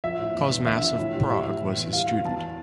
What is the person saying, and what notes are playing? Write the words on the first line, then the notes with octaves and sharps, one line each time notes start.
Cosmas of Prague was his student.
F3 E5
A2
E2
E2
D3 E5
F3
A2
G3
G3 E5
A2
E3
E2
G3 F5
B2
E2 A5